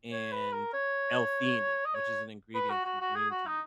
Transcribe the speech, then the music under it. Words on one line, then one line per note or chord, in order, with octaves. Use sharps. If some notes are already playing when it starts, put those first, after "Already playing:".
and L-Theanine, which is an ingredient from green tea,
C#5
B4
A#4
C#5
D#5
C#5
B4
F#4
F#4
F#4
G#4
F#4
D#4